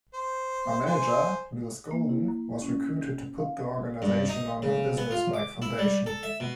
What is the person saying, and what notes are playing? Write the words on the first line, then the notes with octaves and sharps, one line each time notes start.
A manager, Lewis Golden, was recruited to put the organisation on a businesslike foundation.
C5
C5 G#5
A#3
E4
A#5
C#4
G6
F5
G2
D#4
C#3
B3
F4
D6
E4
G3
A4
E5
B2